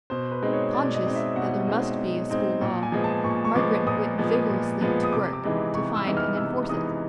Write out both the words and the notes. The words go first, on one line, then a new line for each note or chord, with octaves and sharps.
Conscious that there must be a school law, Margaret went vigorously to work to find and enforce it.
B2 C5
B4
G#3 C4 D#4
C#5
B2 D5
D#5
G#3 C4 D#4
E5
B2 F#5
G#3 C4 D#4
B2
G#3 C4 D#4
A#2
G#5
F3 G#3 B3
A5
A#2 C#6
C#6
F3 G#3 B3 D6
A#2 D#6
F3 G#3 B3
A#2
F3 G#3 B3
D#6
C3 D6
D6
E3 G#3 B3 D#4
C3 C#6
E6
E3 G#3 B3 D#4
F6
C3 E6
E3 G#3 B3 D#4 D#6